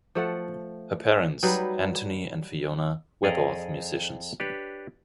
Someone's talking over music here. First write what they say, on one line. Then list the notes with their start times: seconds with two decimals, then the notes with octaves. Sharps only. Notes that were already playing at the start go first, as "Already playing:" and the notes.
Her parents, Antony and Fiona, were both musicians.
0.15 F3 A3 F#5
1.43 F#3 G3 D#4 B4
3.23 F2 G#4 A4 D5 D#5 A#5
4.40 D4 G4 B4 C#5